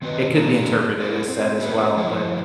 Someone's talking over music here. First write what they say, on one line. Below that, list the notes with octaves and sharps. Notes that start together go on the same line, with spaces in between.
it could be interpreted as set as well. But,
D#3 C4 C#4 F#4 B4 D#5
F#3 A#3 D4 D#4
E4 A#4 D5
C4
A#3 C#4 F#4 G#4 B4
G2 F3 E4 C#5